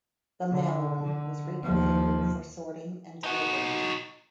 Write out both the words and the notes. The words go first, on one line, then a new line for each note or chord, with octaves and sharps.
The mailroom was reconfigured for sorting and deliveries.
D3
D3
D#2 F3
D#4 F#4